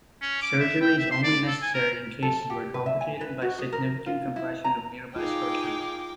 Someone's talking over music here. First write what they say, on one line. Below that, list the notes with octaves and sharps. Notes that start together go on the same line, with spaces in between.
Surgery is only necessary in cases where complicated by significant compression of nearby structures.
C#4
D6
E5
G5
E5
C6
D5
A4
G#5
A#4
A4
G4
B4
E5
G#5
B4
F#4
G#4
A#4
F4
E4
A#5
D#4 F4 G#4 A#4 G5 D6